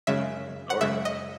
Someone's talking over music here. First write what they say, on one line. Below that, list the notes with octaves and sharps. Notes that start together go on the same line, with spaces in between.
No, I'm sorry.
F#2 C#3 G#3 E5
F#5
F#2 C#3 G#3 E5
D#5